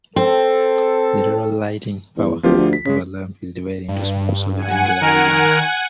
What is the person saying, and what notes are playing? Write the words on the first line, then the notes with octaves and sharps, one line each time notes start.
The total lighting power of a lamp is divided into small solid angular regions.
C4 A4
E2
D1 F3 F4 G4
D2
B6
C#3 G#3 B6
G2
F#5 G#5
D#3 A#4